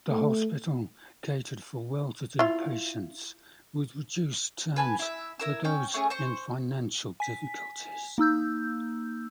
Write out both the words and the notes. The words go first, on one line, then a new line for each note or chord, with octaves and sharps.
The hospital catered for well-to-do patients, with reduced terms for those in financial difficulties.
A3
E4 F4
B4 G#5 A5
E4 E5
E4 A#4 E6
C#4 G5
A3 C#4 G#4
C5 C#6
G#5 B6
A#3 D#4 E6 G6